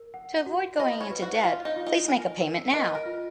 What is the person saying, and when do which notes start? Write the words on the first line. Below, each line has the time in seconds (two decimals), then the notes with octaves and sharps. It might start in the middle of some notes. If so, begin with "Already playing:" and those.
To avoid going into debt, please make a payment now.
Already playing: A#4
0.14 F#5
0.46 F#4
0.79 D#5 B5
1.01 C#5
1.11 B4
1.22 F#4
1.43 F4 F5
1.65 D#4
1.76 F4
1.87 D#4
2.08 A#4 G#5
2.41 A#4
2.73 B4 D#5
2.95 A#4
3.05 F4